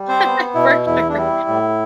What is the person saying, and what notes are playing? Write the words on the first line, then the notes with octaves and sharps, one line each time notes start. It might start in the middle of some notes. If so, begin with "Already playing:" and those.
Right? For sure.
Already playing: G3
C4 C5
B3
B2 E4
E2 E4
D4
G3 E4
A2